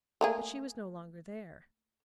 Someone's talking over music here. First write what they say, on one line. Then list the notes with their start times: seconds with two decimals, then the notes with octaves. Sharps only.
But she was no longer there.
0.21 A3 A#3 G#4